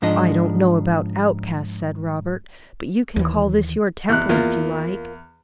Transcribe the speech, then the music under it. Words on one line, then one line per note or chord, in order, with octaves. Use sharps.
'I don't know about outcasts,' said Robert, 'but you can call this your temple if you like.
G#2 F3 D4 D#5
D#2 E3
E2 F#6
E2 A#3 F4